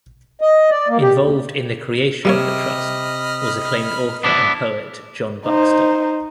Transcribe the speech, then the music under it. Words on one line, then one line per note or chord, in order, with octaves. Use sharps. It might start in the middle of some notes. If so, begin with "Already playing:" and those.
Involved in the creation of the trust was acclaimed author and poet John Buxton.
D#5
D5
A#3
G4
D#2
C3 G3 A#3 C#5 D#5 B5 F6
B3 D4 E4
D#4 C5